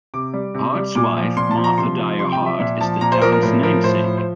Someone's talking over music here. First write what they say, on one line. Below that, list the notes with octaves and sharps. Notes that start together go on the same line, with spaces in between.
Hart's wife, Martha Dyer Hart, is the town's namesake.
C3 D6
G3
C3
G3
A#2 D6
F3
A#2 C6
A5
F3
A#5
C3 C6
F3
C3 C6
G5
F3
E5
A#2 E5
F3 A5
A#2 A#5
C5
F3 A#4
A#4
A2 A#4
F3 A#4
A2 C5
F3
C5